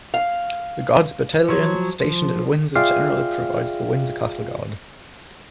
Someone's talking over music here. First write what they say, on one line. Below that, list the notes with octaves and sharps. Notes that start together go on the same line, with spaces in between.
The Guards Battalion stationed at Windsor generally provides the Windsor Castle Guard.
F5
F3 F#3 C#5
F3
F4 G#4 D5 E5 F5 G5